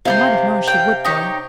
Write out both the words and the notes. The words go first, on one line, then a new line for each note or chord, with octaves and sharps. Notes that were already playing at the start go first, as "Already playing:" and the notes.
I might have known she would, though.
C3 C5 F5 C6 G6
F5 G5
D#4 G4 C#5